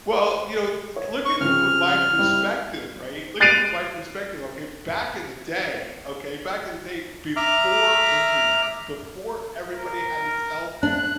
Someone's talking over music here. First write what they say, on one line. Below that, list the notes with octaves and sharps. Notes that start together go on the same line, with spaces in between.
Well, you know, to to look at it from my perspective, right? Looking from my perspective, okay, back in the day okay, back in the day, before internet, before everybody had a cellphone.
C#5
C#6
C#3 F3 C4 F6
G3 C4 E4
F#6 A6 C7 D7 D#7 F7
E5 A#5 D6 F6
A#4
D4 F#6